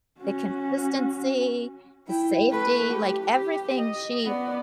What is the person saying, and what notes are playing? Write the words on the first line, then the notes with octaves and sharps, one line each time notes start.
the consistency, the safety, like, everything, she
C#4 F#4
E4 G5
A3 B4
G4
G4
D#5
B3 D5